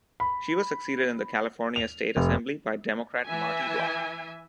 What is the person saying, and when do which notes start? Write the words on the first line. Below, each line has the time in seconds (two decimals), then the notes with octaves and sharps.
She was succeeded in the California State Assembly by Democrat Marty Block.
0.20 B5
1.76 F7
2.17 F1
3.26 E3 E5 G#5